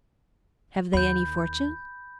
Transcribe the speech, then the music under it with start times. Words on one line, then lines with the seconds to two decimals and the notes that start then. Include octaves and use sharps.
"Have they any fortune?"
0.93 D#2 B5 G6